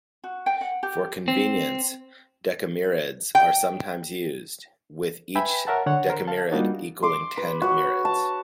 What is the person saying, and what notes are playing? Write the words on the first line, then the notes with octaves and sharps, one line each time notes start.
For convenience, "decamireds" are sometimes used, with each decamired equaling ten mireds.
F#4
G5
F#5
G4
C4
G5
B4 E5 G5 G#5 B5
A#4 C#5 E5 F#5 A5
D3 C#5 F#5
A#4 C5
F5 A5
G3 A#3 D4 D#4 F4 F#4
C6 D6
B4
F#4 C#5
A5